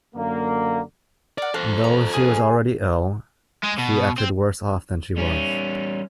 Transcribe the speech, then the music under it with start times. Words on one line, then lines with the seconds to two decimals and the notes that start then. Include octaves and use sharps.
Though she was already ill, she acted worse off than she was.
0.15 F#2 D3 A#3
1.38 A#4 D5 F#5
1.54 A#3 A4 C5 F#6
1.84 A#5
2.13 G#4 G#5
3.64 G#3
3.79 B2
4.18 C4
5.17 G3 C#4